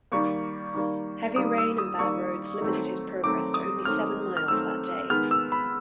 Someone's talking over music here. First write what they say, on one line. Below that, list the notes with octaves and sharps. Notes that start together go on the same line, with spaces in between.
Heavy rain and bad roads limited his progress to only seven miles that day.
D#3 G3 A#3 C#6
D#3 G3 A#3
D#3 G3 A#3 D#6
E6
D#6
D#3 G3 A#3 C#6
D#3 F#3 A3 C4
D#3 F#3 A3 C4 D6
D#6
D#3 F#3 A3 C4 F6
F6
D#3 F#3 A3 C4 E6
D#3 G#3 B3 F6
E6
B5